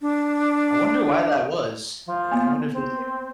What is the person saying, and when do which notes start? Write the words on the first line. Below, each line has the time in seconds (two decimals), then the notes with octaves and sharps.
I wonder why that was. Eh, I wonder if it's like
0.01 D4
2.06 F3
2.32 A#3 B3
2.72 C4